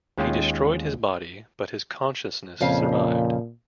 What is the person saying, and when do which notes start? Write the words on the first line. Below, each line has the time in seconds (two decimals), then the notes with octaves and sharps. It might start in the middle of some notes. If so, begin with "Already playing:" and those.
He destroyed his body, but his consciousness survived.
0.18 D#2 G#3 C#4 F4 G5
2.61 F2 A#2 C#3 F5